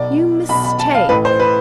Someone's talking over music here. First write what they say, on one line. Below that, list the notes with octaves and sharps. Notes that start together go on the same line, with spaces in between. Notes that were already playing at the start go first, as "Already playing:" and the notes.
You mistake.
Already playing: B1 B2 D5
B1 B2 B5
B5
A5
F5
A1 A2 E3 B4
C5
B4